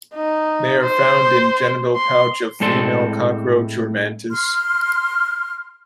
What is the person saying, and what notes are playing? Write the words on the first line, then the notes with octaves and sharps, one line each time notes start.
They are found in genital pouch of female cockroach or mantis.
D#4
C5
C6
A2 G#3 C4 A4 D5 C6
C6 F6